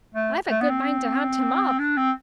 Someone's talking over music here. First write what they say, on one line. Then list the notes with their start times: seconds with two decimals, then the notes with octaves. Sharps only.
"I've a good mind to hunt him up."
0.14 A3
0.50 A3
0.61 B3
0.69 C4
1.79 D4
1.97 C4